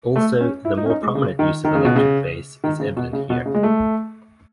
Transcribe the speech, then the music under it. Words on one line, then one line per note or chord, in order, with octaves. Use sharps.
Also, the more prominent use of electric bass is evident here.
A3
C#4
E4
D#4
C#4
D#4
G#3
C#3
D#3
D#3
C#3
B2
C#3
D#3
C#3
B2
C#3
B2
C#3
G#3
A3